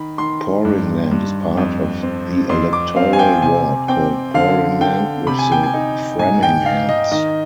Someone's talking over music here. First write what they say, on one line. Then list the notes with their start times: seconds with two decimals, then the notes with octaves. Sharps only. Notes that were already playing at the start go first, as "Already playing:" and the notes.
Poringland is part of the electoral ward called Poringland with the Framinghams.
Already playing: D#3 B5
0.18 D#3 C6
0.65 G2
1.11 G2
1.57 F2
2.03 C4
2.49 F2 C6
2.73 D6
2.96 C4 F5
3.13 G#5
3.19 G5
3.42 C3 G#5
3.88 C4 G5
4.34 D3 F5
4.81 D3 G5
5.27 C3 B5
5.39 G#5
5.52 G5
5.63 G#5
5.74 D#4
6.19 G#2 G#5
6.43 G5
6.65 D#4 F5
6.89 D#5
7.12 D#3 D#5